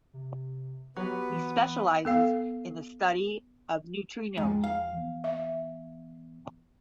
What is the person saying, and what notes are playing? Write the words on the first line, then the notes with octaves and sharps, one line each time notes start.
He specializes in the study of neutrinos.
C3
F#3 B3 G4 B4
E3
B3 A4 F5
E2 G#2 F3 G5
F5
E3 B3
E5